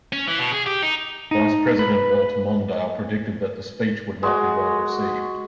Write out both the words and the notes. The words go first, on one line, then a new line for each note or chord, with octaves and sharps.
Vice President Walter Mondale predicted that the speech would not be well received.
C#4
E3
B2
G#4
G4
D#4
D#4
B4
G#3 F#4